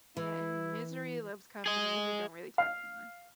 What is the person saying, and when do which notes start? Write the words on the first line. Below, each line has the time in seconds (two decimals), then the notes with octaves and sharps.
yeah, and misery loves company and we don't really talk anymore.
0.17 E3 E4
1.66 G#4 D#5
2.58 F5